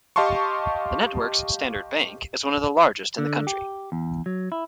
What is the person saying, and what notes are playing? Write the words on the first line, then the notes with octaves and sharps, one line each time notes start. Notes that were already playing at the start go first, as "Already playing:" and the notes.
The network's Standard Bank is one of the largest in the country.
G4 D#5 F5 A5 C6 C#6
D3
G4
E2
F#3
E4